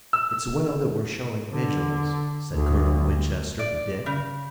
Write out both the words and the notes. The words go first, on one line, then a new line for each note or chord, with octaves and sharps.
"It's well that we're showing vigilance," said Colonel Winchester to Dick.
E6
D3
D2
D5
C#3